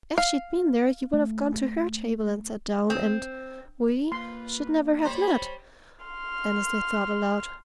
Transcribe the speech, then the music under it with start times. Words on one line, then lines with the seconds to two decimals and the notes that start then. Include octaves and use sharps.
"If she'd been there, you would have gone to her table and sat down, and we--should never have met!" Annesley thought aloud.
0.18 F5
1.13 A3
2.90 C4
4.12 A#3 F4 B4 C6
5.05 G3 C5 C#5 B5
6.06 C6 F6